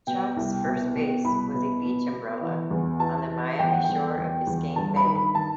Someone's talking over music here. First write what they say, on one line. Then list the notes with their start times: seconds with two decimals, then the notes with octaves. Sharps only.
Chalk's first base was a beach umbrella on the Miami shore of Biscayne Bay.
0.07 B2 G5
0.36 C2
0.65 B2
0.95 B2
1.24 C2 B5
1.54 B2
1.83 B2
2.12 B2
2.41 E3
2.70 E2
3.00 E3 A5
3.30 E3
3.59 E2 G5
3.72 F#5
3.84 E2 G5
4.18 E2
4.47 E2
4.76 G2 A5
4.96 B5
5.05 D#3
5.15 B5
5.35 D#3 A5